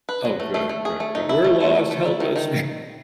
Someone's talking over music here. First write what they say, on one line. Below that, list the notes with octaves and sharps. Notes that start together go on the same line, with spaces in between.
Oh, good, good, good. "We're lost. Help us."
B4
F#3
A3
A3
A3
G#4
A3
D#4
E4
A3
A3
A3
A3
E4
D#3
D#3